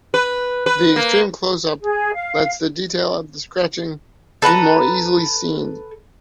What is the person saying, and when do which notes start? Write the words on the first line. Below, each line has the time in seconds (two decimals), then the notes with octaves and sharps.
An extreme close up lets the detail of the scratching be more easily seen.
0.14 B4
0.66 B4
0.96 A#3
1.81 G#4
2.14 F5
4.42 A4 B4 F#5 A#5